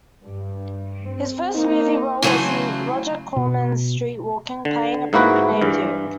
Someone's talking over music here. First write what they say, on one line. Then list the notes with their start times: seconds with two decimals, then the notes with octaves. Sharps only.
His first movie role was in Roger Corman's "Streetwalkin"' playing a pimp named Duke.
0.23 G2
1.10 C4
1.55 A#3 D#4
2.22 C#3 E3 F#3 A3 C5 G#5
3.36 B2
4.65 D3
5.13 G#2 A#3 E4 F#4 B4
5.62 G2 E3